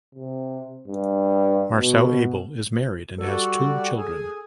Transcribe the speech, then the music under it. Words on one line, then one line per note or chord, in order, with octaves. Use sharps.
Marcel Abel is married and has two children.
C3
G2
B2
G3 F#4 A4 D5
G#4 G#5